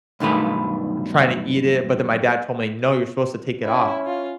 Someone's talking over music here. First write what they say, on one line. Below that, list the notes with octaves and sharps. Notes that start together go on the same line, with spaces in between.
trying to eat it, but then my dad told me, "No, you're supposed to take it off."
B1 G2 D#3 A3 B4
C#4 E4
F4